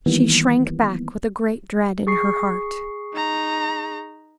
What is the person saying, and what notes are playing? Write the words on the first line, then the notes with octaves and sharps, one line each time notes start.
She shrank back with a great dread in her heart.
D#3 E3 G3 A#3 B3
G#4 C#6 C7
D#4 A#5